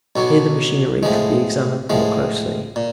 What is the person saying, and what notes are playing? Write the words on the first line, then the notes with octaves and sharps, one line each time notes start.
Here the machinery could be examined more closely.
B1 B2 F#3
A2 F3 G#3
A2 F3 G#3
A#2